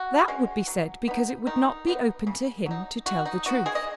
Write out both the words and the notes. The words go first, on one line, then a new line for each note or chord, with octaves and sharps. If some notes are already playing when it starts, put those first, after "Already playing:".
That would be said because it would not be open to him to tell the truth.
Already playing: F#4
G#3 C#4
F#3
B3 D#4
D#3 D#4
F#3 B3 D#4
C#3
F#3 D#4
F#3 F#4
D#4
B3 D#4 F#4
G#3 G#4
D#5